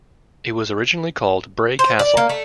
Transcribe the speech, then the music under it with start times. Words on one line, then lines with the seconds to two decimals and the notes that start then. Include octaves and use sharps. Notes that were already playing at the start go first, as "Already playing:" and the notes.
It was originally called Bray Castle.
1.79 C5
1.99 D5
2.17 A#3
2.29 A3